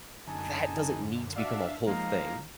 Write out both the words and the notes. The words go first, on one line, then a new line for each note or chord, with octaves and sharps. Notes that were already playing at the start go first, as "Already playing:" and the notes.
That doesn't need to become a whole thing.
F#2 D3 D#4 G#5 A5
D4 F#4 D5 E5 F5
F3 G#3 A#3 D#4 F5 A#5